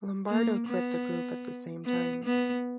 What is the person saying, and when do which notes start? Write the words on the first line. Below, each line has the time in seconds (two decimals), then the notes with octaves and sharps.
Lombardo quit the group at the same time.
0.28 A#3
0.67 B3
1.86 B3
2.24 B3